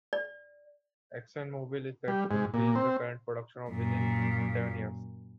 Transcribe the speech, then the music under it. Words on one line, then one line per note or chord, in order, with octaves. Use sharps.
ExxonMobil is set to increase the current production of within seven years.
D5
G3
G#2
A#2
C4
F#2 A#2